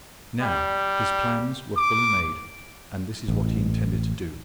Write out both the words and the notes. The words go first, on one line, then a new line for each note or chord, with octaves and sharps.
Now his plans were fully made, and this is what he intended to do.
G3
D6
A1